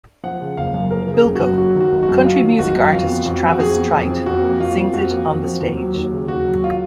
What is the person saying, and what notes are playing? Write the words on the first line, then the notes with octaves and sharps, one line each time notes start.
Bilko, Country music artist Travis Tritt sings it on the stage.
F3 F#5
C#3
F#1 F5
F#2
F3 A#4
C#3
G#4
F#1
F#4
F#2
F#3 F#4
D#3
F#4
G#1
F#4
F#2
F#3 F4
D#3
G#1 F#4
F#2
F2 F4
B3
F2 F#4
F3
F#4
F2 G#4
B3
F2
F3
F2 F#4
A#3
F2 F4
F3
F2 F#4
A#3
F2
F3
D#2
F#3
D#2
C#3
D#2 F#4
F#3
F4